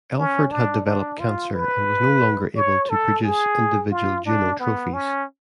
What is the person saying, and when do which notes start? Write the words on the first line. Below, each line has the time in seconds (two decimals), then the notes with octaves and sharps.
Elford had developed cancer and was no longer able to produce individual Juno trophies.
0.18 C#4
0.51 D4
0.86 D4
1.20 F4
1.54 B4
2.56 C#5
2.90 A4
3.24 G#4
3.91 F4
4.26 D4
4.60 B3
4.93 C#4